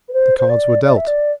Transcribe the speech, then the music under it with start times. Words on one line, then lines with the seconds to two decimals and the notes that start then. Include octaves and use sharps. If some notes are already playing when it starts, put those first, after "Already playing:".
The cards were dealt.
0.08 B4
0.13 C5
0.38 C5
0.49 D5
0.84 D5
0.97 E5
1.07 D5